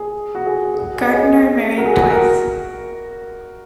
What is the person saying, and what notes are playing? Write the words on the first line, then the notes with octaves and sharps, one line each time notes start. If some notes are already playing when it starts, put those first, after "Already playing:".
Gardiner married twice.
Already playing: G#4
F#4
G#4
G#4
F#4
G#4
D#5
G#4 C#5
F#4 A#4
G#4
F#4
G#4
F#4 A#4